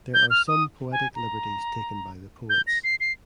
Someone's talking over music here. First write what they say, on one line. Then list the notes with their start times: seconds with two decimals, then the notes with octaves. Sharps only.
There are some poetic liberties taken by the poets.
0.14 G6
0.30 F6
0.48 D#6
0.92 G#5
1.15 A#5
2.50 G6
2.67 A#6
2.84 C7
3.00 C7